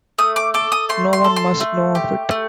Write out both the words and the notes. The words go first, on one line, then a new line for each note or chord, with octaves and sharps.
No one must know of it.
A3 D#6
D6
A4 D6
D#6
A3 C6
C6
A4
C6
A3
G4
A3